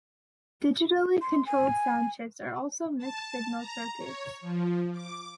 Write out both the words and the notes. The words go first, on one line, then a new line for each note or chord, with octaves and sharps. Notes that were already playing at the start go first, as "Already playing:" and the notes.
Digitally controlled sound chips are also mixed-signal circuits.
C6
G#5
A5
A#5
C#5
F3
D6